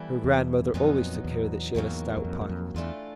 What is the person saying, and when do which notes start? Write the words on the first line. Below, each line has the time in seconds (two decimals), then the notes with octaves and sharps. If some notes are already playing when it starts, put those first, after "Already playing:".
Her grandmother always took care that she had a stout pocket.
Already playing: E3 G3 B3 E4 A4
0.24 E2
0.74 F2 A#2 F#3 B3 D#4
1.24 E2
1.75 E2 G#2 D#3 F#3 A#3
2.17 E2
2.25 F2
2.41 F#2
2.49 F2
2.75 E2 E3 A3 D4 F4 A4